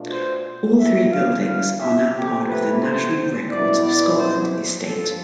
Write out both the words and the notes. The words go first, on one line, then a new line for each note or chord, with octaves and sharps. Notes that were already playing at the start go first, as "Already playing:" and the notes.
All three buildings are now part of the National Records of Scotland estate.
Already playing: B2 A3 D4 F4
C5
E2 D3 A3 E4 E5
F5
F5
E5
C3 F3 A3 G4
B4
C5
B2 B3 E4 D5
D5
C5
G2 D3 F3 A4